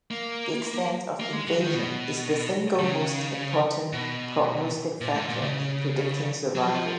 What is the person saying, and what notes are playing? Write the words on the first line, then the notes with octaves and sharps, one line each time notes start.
The extent of invasion is the single most important prognostic factor in predicting survival.
A#3
A#3
G#3
F#3
D#3
B2
D#3
C#3
B2
A#2
G#2
A#2
C#3
F#3
F3